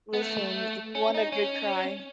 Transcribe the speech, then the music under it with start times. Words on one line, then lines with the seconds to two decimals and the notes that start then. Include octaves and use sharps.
Listen, if you want a good cry
0.13 B3
0.22 A3
0.95 C#4
1.15 D#4
1.32 C#4